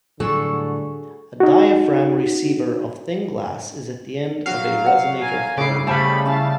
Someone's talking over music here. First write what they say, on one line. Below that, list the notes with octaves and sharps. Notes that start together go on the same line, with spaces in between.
A diaphragm receiver of thin glass is at the end of a resonator horn.
A2 D3 F#3 G3 F#4 G#4 A4 C#6
D#4 F#4
F#3 F#4 F5
F#5
G#5 A#5
C#3 E4 B5 D6 C7
C#3 G3 A3 G4 C5 F5 A5 B5
C#4 E4 F5 A5